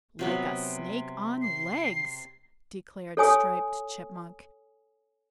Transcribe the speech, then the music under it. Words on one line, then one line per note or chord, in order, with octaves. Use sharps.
"Like a snake on legs," declared Striped Chipmunk.
C3 F#3 B3
C7
A4 C#5 G#5 D#6